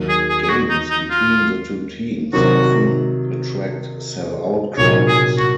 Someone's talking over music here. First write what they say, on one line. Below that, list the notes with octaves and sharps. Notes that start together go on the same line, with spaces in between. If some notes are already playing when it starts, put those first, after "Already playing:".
Games between the two teams often attract sell-out crowds.
Already playing: D#2 D#3 F#3
G#4
G#4
G#4
F#4
D#4
D#4
F4
C3 D#3 F#3 F#4
C2 A#2 F#3 A#3 D#4 C#5
G#4
F#4